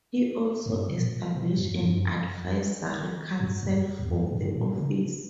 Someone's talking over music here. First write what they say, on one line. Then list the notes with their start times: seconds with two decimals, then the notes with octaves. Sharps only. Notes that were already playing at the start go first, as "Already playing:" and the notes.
He also established an advisory council for the office.
0.66 G2
0.88 B2
1.00 A#2
1.35 B2
1.57 F#2
1.81 F#2
1.90 G2
2.01 F#2
3.40 G2
3.63 F#2
3.99 E2
4.09 F#2
4.32 G2
4.55 A#2
4.78 C#3